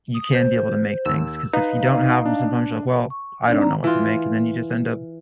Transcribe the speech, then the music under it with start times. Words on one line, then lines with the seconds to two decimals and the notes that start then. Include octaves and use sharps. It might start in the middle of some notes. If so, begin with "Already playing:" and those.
you can be able to make things, 'cause if you don't have 'em, sometimes you're like, well, I don't know what to make, and then you just end up
0.14 D#6
0.35 C5 G6
1.06 D#2 E6
1.53 D#4 B4 F5
2.26 D4
3.10 C#6
3.47 C4 D4 D#4 D5
3.62 A#5
3.84 E3 F4